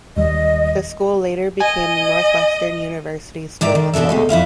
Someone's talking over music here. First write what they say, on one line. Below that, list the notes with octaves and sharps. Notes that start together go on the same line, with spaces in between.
The school later became the Northwestern University School of Law.
D#2 D#3 G3 D#5
D#5 G#5
G#2 D5 E5 A#5
D#3
E2 B2 D4 A4 E5
C3 G#3 A3
F2 E4 E5 F5